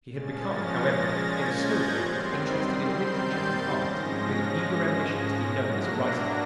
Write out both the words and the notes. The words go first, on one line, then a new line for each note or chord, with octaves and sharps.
She had become, however, in a small way interested in literature and art, with an eager ambition to be known as a writer.
A#2 F3 G#3 C#4 A6
A#6
A6
G#6
G6
F#6
F#2 D#3 G3 C4 C6
G6
A6
A6
G#2 F3 G#3 C#4 A#6
A2 F#3 A#3 D4